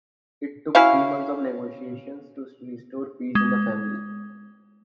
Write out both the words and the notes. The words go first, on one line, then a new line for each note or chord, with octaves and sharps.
It took three months of negotiations to restore peace in the family.
C#4 E4 F#4 F5
G#3